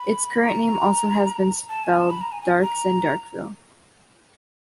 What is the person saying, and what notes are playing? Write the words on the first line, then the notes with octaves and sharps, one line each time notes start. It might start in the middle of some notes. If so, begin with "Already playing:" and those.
Its current name has also been spelled "Darkes" and "Darkville".
Already playing: B5
A#5
A5
G#5
A5
B5
A#5
G#5
G#5
A#5